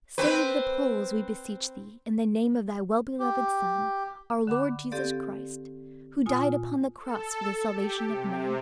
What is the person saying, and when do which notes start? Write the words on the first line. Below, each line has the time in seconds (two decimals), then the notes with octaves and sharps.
Save the Poles, we beseech Thee, in the name of Thy well-beloved Son, our Lord Jesus Christ, who died upon the cross for the salvation of men.
0.18 C4 B4
3.20 G4
4.47 D3 F#5 B5 D6
4.91 C4 G4 A4 D5 F5
6.26 A#2 F4 G#5 D#6
7.00 A4
7.71 G4
8.08 C3